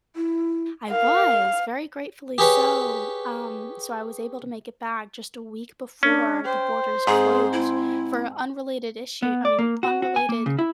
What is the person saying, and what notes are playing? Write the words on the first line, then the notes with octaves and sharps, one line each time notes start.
I was, very gratefully so. Um, so I was able to make it back just a week before the borders closed for unrelated issue I mean, unrelated
E4
A#4 F5
G4 G#4 B4 C#5
C#4 D4
C5 G5
G#2 C4 G#4
E4
B3
D5
A#3
F#4
F#4
G#5
A#3
C#3
E4